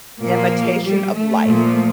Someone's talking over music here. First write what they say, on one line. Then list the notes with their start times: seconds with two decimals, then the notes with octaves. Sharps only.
Imitation of Life.
0.20 A#2 F3 A#3
0.84 G3
1.16 A3
1.47 A#2 F3